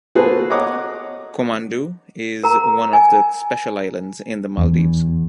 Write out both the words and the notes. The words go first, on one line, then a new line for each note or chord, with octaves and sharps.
Komandoo is one of the special islands in the Maldives.
A#3 F#4 G#4 A4 B4 C5
C#5 D#5 F#5 A#5 D6 D#6
A#4 A#5
G#5
E2